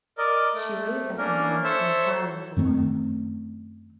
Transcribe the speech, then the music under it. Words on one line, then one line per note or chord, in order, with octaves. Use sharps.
She weighed that remark in silence a while.
A#4 D5 D#5
A3
A#3 C#4 D4 A#4
A4 C5 C#5 E5
F#2 D#3 A3 C4